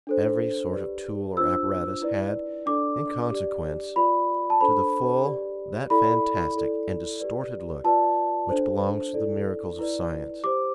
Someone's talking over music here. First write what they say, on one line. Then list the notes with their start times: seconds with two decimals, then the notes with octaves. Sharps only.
Every sort of tool or apparatus had, in consequence, to the full, that fantastic and distorted look which belongs to the miracles of science.
0.07 D4 A4 C5
0.72 G4 B4 D5
1.37 D4 F4 C5 E6
2.02 E4 B4 D5
2.66 D4 A4 D5 D6
3.31 G4 D5
3.96 F4 B4 D5 B5
4.50 A5
4.61 D4 A4 C5 B5
5.25 G4 B4 D5
5.90 E4 A4 D5 B5
6.55 E4 A4 D5
7.20 G4 B4 D5
7.84 F4 B4 D5 A5
8.49 D4 A4 C5
9.14 E4 A4 D5
9.79 E4 B4 D5
10.44 G4 C5 D6